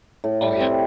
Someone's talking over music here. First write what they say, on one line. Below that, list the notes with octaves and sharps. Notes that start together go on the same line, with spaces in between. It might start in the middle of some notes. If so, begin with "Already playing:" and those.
Oh yeah.
A2
G3
C4